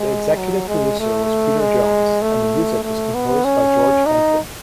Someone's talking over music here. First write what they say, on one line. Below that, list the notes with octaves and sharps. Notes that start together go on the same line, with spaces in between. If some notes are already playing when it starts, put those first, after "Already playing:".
The executive producer was Peter Jones and the music was composed by George Fenton.
Already playing: G#3
F#3
G#3
A3
G#3
A3
A3
B3
C#4
D#4